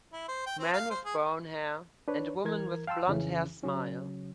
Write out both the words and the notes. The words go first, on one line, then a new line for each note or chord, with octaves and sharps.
Man with brown hair and a woman with blondhair smile.
E4
C5
G5
C4
F5
C5
G#4
D4 B4 C#5
E3 A#4 G#6
F5 G5 A5 C6 E6
F2 C#3 E3 C#4
C#3 F#3 C#4